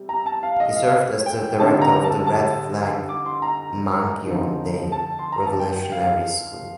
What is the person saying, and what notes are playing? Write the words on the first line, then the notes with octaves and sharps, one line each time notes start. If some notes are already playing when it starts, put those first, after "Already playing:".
He served as the director of the Red Flag Mangyongdae Revolutionary School.
Already playing: C3 G3
A#5
A5
F5
D#5
F5
G5
D3 G3 C4 D#4 A5
A#5
A5
A5
D6
C6
A#5
D3 F3 C4 D#4
A5
C6
A#5
A5
G5
F5